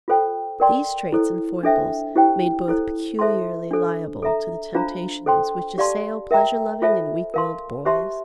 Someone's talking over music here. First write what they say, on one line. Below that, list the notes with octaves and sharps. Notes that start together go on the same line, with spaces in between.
These traits and foibles made both peculiarly liable to the temptations which assail pleasure-loving and weak-willed boys.
F4 A4 C5 G5
A#4 D5 G5 C6
E4 A4 C5
D4 A4 C5 E5 G5
E4 G4 C5 G5
E4 A4 C5
A4 C5 E5 A5 C6
D4 A4 C5
A4 E5 A#5
D4 F4 C5 F5 A#5
A4 C5 G5 C6
G4 D5 F5 A5 C6
A#4 E5 G5 A#5
F4 A4 C5 E5 A5
A#4 F5 A5 C6
G4 C5 E5 A5 C6